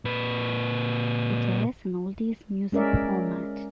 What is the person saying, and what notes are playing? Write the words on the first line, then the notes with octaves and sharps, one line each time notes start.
It airs an oldies music format.
A#2 B4
G#3 C#4 A#4 D5 E5